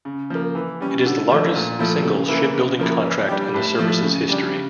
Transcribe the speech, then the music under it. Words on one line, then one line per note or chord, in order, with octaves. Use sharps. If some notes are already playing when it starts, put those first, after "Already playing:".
It is the largest single shipbuilding contract in the service's history.
C#3
F3 A#3
E3
G3 C#4
D3
F3 A3
A#2
F3 A3 E4
C#3
E3 A#3 E4
C#3
F3 A#3 E4
E3
G3 D4 G4
A2
F3 A3
C#3
G3 D4 G4
C#3